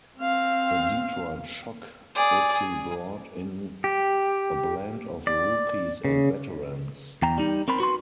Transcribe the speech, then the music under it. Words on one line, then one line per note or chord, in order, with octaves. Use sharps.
The Detroit Shock quickly brought in a blend of rookies and veterans.
C4 F5
G#4 D5
G#4
G4
D5
C#3
E2 G5 A#5
G3 D#4
C4 A#4 C5 B5
F#4 B4 C6